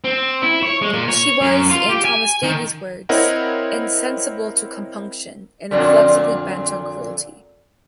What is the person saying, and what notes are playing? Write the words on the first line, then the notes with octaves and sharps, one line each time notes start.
She was, in Thomas Davies' words, insensible to compunction and inflexibly bent on cruelty.
C4
E4
C#5
G#3
A#2
C#5
F#2
F4
G4
G#5
D#3
C4 E4 A#4 C#5 D#5 F#5
F2 A#2 D3